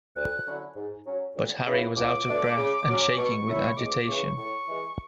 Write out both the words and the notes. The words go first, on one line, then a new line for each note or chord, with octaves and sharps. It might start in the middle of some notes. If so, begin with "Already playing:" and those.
But Harry was out of breath and shaking with agitation.
D2 F#6
D3 F#3 C#4 E4
G#2
F#3 C#4
D2
C#3 E3 B3 E4
C#2 D6
B2 A3 D4
C#3
F#3 C#4
B2 C#6
F#3 C#4 E4
C#2 D6
C#3 E3 C#6
A2 C#6
E3 G#3